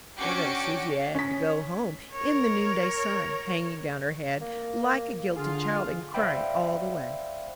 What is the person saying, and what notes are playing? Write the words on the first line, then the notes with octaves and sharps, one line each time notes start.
Poor little Susy had to go home in the noonday sun, hanging down her head like a guilty child, and crying all the way.
C#4 D4 F#4 G5 D6 C#7
C#4 B6
A#4 C#5
A#3
D3 F4 G#4
C5 D5 E5 F5 G5 B5